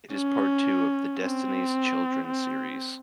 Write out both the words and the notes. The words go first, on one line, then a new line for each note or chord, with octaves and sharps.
It is part two of the "Destiny's Children" series.
C#4
C4
C4